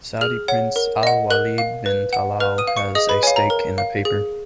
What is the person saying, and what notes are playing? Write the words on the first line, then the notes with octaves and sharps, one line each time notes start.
Saudi Prince Al-Waleed bin Talal has a stake in the paper.
G#4 F6 F7
C#5 F#5
A#4
D#5 F#5
A#4 F#6 F#7
F5
B4
F#5
B4 F6 F7
D#6 D#7
F5
C#6 C#7
G#4 D#5 D#6
B4 B5
C#5 F5 G#5
A#5
A#4
F5
G#4